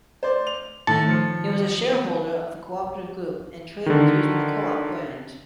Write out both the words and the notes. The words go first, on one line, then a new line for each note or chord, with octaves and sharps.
It was a shareholder of the Co-operative Group and traded using the "Co-op" brand.
C5 D5
F7
A2 D#3 A5 C#7
F3
D3 D#3